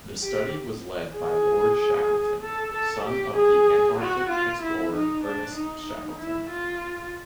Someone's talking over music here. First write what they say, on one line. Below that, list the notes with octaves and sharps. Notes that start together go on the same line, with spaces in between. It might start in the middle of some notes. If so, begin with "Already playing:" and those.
The study was led by Lord Shackleton, son of the Antarctic explorer, Ernest Shackleton.
G4
G#4
A4
A4
G4
G#4
F#4
F4
E4
D#4
D4
D#4
E4
F4